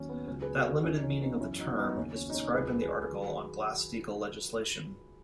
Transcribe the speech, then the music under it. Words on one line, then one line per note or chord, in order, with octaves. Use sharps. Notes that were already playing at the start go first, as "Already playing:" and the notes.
That limited meaning of the term is described in the article on Glass-Steagall Legislation.
Already playing: D#2 D#3 F#3 C#4
B3
C#2 C#3 F#3 C#4
G#4 B4
F#4 A4
C#2 C#3 E3 C#4
D#4
C#4
B3 D#4
F#2 E3 C#4 E4
D#4 F#4
B3 D#4
D#2 C#3 F#3 C#4
C#4
D#4
C#4
C#2 C#3 F#3 G#4 B4
G#4 B4
D#3 F#3